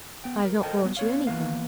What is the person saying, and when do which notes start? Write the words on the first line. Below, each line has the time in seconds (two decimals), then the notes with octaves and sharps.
'I've not brought you anything.
0.24 B3 G5
0.45 A#4
0.62 A4 A#4 C5 D#5 G5 A5
0.83 F#3 G3 B3
0.97 B3 C#5 F5
1.27 E3 A#3 B3 B4 F5